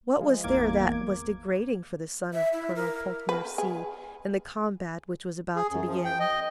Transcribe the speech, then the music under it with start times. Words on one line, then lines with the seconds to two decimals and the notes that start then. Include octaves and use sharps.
What was there that was degrading for the son of Colonel Pontmercy in the combat which was about to begin?
0.19 F3 G#3
0.44 G#1 E2 A#3 D6 G#6
2.33 E5
2.53 E4
2.76 A#4
3.29 B4
3.58 G#4
5.56 G#4
5.71 F#2
5.87 F3
6.04 G5
6.19 D#5